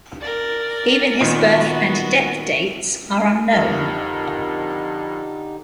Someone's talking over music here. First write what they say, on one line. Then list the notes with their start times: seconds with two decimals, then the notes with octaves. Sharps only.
Even his birth and death dates are unknown.
0.21 A#4 D5
1.20 A#2 D#3 B3 F#4
3.52 F2 D3 D#4 G4 A#4